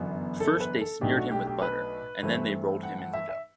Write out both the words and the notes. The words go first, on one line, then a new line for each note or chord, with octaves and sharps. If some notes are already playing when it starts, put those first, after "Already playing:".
First they smeared him with butter, and then they rolled him in the dough.
Already playing: G1 F#2 E3 B3
A4
A4
B4
A4
B1 B2 A3 D4 G4
F#4
G4
G4
B4
G2 E3 A3 C4
F#5
F#5
E5
E5